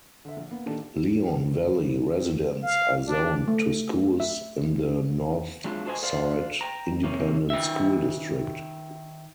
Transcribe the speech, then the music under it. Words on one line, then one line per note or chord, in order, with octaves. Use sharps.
Leon Valley Residents are zoned to schools in the Northside Independent School District.
D3 E5
A#1
A#3 B3
A#2 D#3 D4 G4 A4
F5
D4
A3
E5
F#3 G#3 D4 E4 F4
F#4 A4 C5 D#5 G#5
A4 C5 D5 F5
G5 A#5
C3 A#3 C#4
D#3 E5